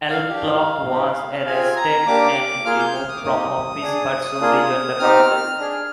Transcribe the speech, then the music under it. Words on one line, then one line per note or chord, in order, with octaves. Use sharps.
Alcock was arrested and removed from office but soon rejoined the Council.
F5
D4 G4
C4 D#4 G4
C4 F4 G#4 G#5
A#5
A#3 D4 G4 D6
A#3 F4 G#4 F6
G6
F6
D#6
D6
A#3 D#4 G4 D#6
D4 G#4
A#3 D4 F4 G#4
C4 D#4 G4 F6
D4 G#4